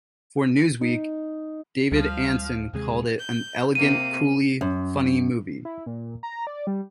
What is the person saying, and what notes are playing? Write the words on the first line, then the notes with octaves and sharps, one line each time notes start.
For "Newsweek", David Ansen called it an "elegant, coolly funny movie".
D#4
D2 F3 G3 F5
D#2 C3 G#3 G#4
G6
C3 A#3 F5 D#7
F#2
E4
A#2
A#5
D5
G3